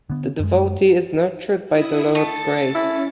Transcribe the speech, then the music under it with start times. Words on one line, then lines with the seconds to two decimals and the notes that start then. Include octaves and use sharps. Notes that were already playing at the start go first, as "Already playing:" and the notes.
The devotee is nurtured by the Lord's grace.
0.10 D3 B3
0.40 F#2 G#3
1.67 E4 D#6
2.15 A3 A4 A6
2.75 C#4 E4